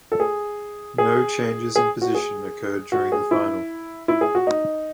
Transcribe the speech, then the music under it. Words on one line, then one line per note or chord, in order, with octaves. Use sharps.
No changes in position occurred during the final.
A4
G#4
G#4
G#4
F#4
G#4
F#4
G#4
E4
E4
G#4
F#4
D#4